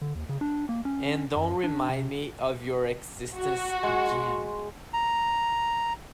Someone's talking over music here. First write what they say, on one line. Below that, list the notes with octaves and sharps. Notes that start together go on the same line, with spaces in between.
And don’t remind me of your existence again.
D3
D#2
C#3
D4
A#3
C#4
F#2
D4
C3
F#4
G#3
A#5